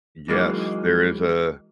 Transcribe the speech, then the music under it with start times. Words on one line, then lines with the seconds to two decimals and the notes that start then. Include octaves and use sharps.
yes, there is a
0.28 E3 F#3 G#3 A#3 D#4